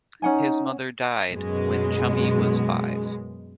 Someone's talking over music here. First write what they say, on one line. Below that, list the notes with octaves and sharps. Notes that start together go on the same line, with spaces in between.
His mother died when 'Chummy' was five.
C#4 D#4 F#5 G#5
F#2 B2 G#3